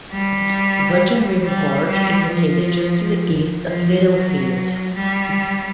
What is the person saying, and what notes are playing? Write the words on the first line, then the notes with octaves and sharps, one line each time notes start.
The Virgin River Gorge is located just to the east of Littlefield.
G3
G3
G3
F3
F3
F#3
G3